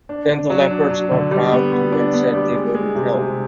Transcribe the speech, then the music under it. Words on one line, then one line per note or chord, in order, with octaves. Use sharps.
Then the leopards got proud too and said they wouldn’t help.
D4
D4
F#3
D4
F#3
D3
G3
B3
B3
D4
B3
G3
G#3
G#3
C3
C3